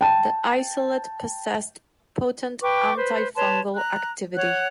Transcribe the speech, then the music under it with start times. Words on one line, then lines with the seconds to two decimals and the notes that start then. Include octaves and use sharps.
The isolate possessed potent antifungal activity.
0.01 G5 A5
2.61 B4 G5 C#6 D6
2.96 B4 C5
3.36 B4 C#5 A5 C6
3.75 A#5 F#6
4.35 C#5 F#5 F#6